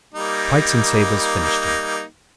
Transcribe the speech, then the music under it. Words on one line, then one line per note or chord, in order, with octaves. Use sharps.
Pikes and sabres finished him.
G3 A#3 D#4